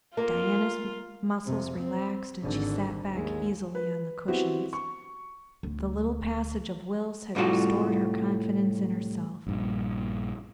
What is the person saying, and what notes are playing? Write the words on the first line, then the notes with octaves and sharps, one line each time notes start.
Diana's muscles relaxed and she sat back easily on the cushions, the little passage of wills had restored her confidence in herself.
A#3 F4 A#4
F2 C3
C4
G#1 D3
D#2 G#3
B4
F#3 B3 C4 E4 F#4 G4
C#6
D2
C2 A2 G3 F4 F#4
A#1 G2 A#2